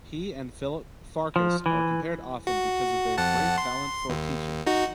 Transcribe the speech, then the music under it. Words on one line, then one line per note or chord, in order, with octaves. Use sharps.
He and Philip Farkas are compared often because of their great talent for teaching.
F3
E3
F#4
F2 F#5 A5
C6
D#2
D#4 F#4